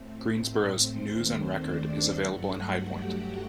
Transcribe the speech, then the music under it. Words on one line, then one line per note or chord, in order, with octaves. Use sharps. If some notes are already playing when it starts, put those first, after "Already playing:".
Greensboro's "News and Record" is available in High Point.
Already playing: A2 A3 C4
C4 C5
D#2 D#3 A3 C4
D4 D5
G2 F#3 A3 F#4 F#5
F#4 F#5
G4 G5
G4 G5